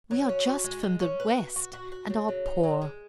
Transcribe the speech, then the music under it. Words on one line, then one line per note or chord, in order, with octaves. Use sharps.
We are just from the West, and are poor.
F#3
C#4
F#4
G#3
G#3
C#4
B4
F#4
F#4
F#4
F#4
C#3
F#3
D#4
F#3
G#3